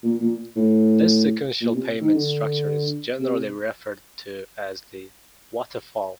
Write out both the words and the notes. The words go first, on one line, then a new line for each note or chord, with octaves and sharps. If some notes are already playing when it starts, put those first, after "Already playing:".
This sequential payment structure is generally referred to as the "waterfall".
A#2
A#2
A2
A#2
C3
D#3
D3
C3